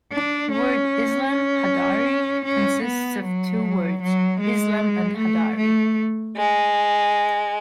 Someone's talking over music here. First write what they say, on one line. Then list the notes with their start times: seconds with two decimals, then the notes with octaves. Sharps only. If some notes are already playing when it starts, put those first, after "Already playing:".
The word Islam Hadhari consists of two words, Islam and Hadhari.
0.13 D4
0.51 C#4
1.29 C#4
2.46 C#4
2.84 B3
3.24 F#3
4.02 F#3
4.40 G#3
5.18 A3
5.57 A3
6.36 G#3